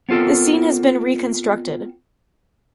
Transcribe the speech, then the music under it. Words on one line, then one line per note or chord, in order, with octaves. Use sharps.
The scene has been reconstructed.
B3 C4 F4 A4 A#4